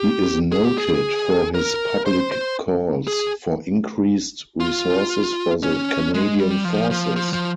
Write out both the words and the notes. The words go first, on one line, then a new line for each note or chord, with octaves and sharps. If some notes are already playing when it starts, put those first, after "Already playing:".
He is noted for his public calls for increased resources for the Canadian Forces.
Already playing: G4
G#4
G4
G#4
A#4
C5
C5
G#4
F4
C#4
G#3
G3
F3
F3
F3
F3